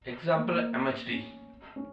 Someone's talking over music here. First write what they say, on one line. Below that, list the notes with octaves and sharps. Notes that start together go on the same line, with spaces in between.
Example mhd.
A#3
A#3
C#4
C#4